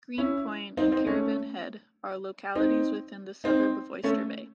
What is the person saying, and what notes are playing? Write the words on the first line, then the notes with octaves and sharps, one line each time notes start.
Green Point and Caravan Head are localities within the suburb of Oyster Bay.
C#4 E4
C4 D#4
C4 D#4
A3 C#4
C4 D#4
C4 D#4
A3 C#4